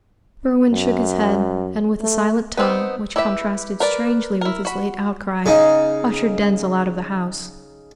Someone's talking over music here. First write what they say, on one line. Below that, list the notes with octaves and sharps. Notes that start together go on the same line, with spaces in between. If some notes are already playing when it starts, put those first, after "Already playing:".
Berwin shook his head, and with a silent tongue, which contrasted strangely with his late outcry, ushered Denzil out of the house.
F#2
A3
B3 C4 D#4 B4
E4 G4 B4 E5
A#4 B4 D5
E4 A#4
F#4 B5
C#3 D#4